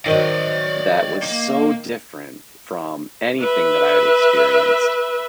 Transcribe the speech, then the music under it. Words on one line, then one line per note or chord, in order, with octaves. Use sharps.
that was so different from anything that I had experienced.
D#3 F#3 C4 D5 D#5
A#3
B4 E5